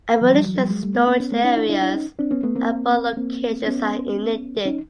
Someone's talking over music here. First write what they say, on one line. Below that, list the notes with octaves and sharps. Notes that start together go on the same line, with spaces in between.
Ammunition storage areas at both locations are ignited.
E3 F#3
F3 G3
E3 F#3
F3 G3
F#3 G#3
G3 A3
A3 B3
A#3 C4
B3 C#4
A3 B3
C#4 D#4
D4 E4
D4 E4
D4 E4
C#4 D#4
C4 D4
B3 C#4
A3 B3
A#3 C4
A#3 C4
B3 C#4
C#4 D#4